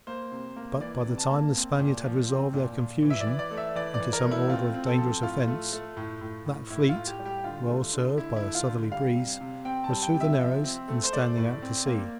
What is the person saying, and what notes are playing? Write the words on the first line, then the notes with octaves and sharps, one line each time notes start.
But by the time the Spaniards had resolved their confusion into some order of dangerous offence, that fleet, well served by a southerly breeze, was through the narrows and standing out to sea.
A#3 C5
C3
A#3
E3 D5
C3
A5
A#3
C4
A#2
F3
C4
A#2
A#2
E3
E5
D5
E3
D5
A3
E5
E3 D5
D5
E3
A#4
A3
E4
C4 F4
C4
A4
F3
A2 F4
A3
A3
A2
A2
A2
A2 E4
F4
A2
G4
G3
G4
D3 F4
A3
D3
D3 E4
E4
A3
F4
D3
G3 F5
C3
C3
C4 G5
A5
G3
G5
C3
E5
F3
C4
A3
C5
A3 D5
A2
C4
A#3